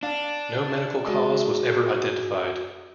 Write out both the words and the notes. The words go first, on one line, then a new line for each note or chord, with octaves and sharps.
No medical cause was ever identified.
D4 F5
G#3 F#4